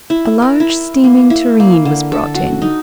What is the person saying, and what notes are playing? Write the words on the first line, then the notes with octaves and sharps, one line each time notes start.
A large steaming tureen was brought in.
E4
A#4
E4
A#3
E4
A#3
D3
A4
F#4
D#4